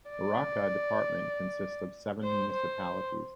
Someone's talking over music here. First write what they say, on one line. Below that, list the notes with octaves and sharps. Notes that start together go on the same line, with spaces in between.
Arauca department consists of seven municipalities.
D5
C5
C5